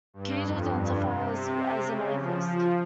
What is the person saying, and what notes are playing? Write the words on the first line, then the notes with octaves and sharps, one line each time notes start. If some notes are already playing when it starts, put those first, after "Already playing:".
Cage identifies as an atheist.
G2
F2
G2
C3
C3
C#3
F3
F3